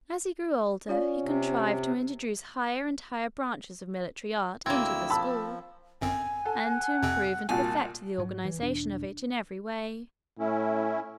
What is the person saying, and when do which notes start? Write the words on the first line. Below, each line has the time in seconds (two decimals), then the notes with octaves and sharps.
As he grew older he contrived to introduce higher and higher branches of military art into the school, and to improve and perfect the organization of it in every way.
0.89 C#4 F4 D5 F5
1.24 C3
4.66 D2 A#3 C4 E4 E6 G#6
5.10 F3 A5 B5 E6
6.01 G1 F#2 C4 G#5
6.46 A4 F#5
7.03 F2 C3 C4
7.49 C2 A#2 F#4 G#5 A5
8.18 G#2 F#3
8.45 E3
8.59 E1 D4
10.39 A2 C#4 E4